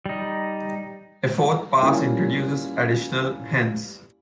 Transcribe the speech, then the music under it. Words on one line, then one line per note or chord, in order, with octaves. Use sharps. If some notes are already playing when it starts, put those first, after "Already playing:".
A fourth pass introduces additional hens.
G3 D#4
G3 A#3 C#4 E4 F4